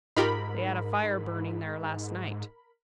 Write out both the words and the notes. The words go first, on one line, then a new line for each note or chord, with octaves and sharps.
"They had a fire burning there last night."
G#2 D#4 F4 G4 A#4 B5